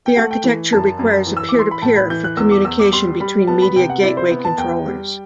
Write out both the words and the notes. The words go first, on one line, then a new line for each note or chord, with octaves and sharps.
The architecture requires a Peer-to-Peer for communication between Media Gateway Controllers.
G5
A3 F#5
G5
E3
F#2 A5
F#2
E3
E6
D6
E3 C6
B5
A2 A5
B5
E3 G6
F#6
E2 E6
D6
E2 E6
D6
G3 C6
G3 B5
B3 A5
B5
C3 G5
F#5
E4 D5
C5
B3
A5
E2 G5
G3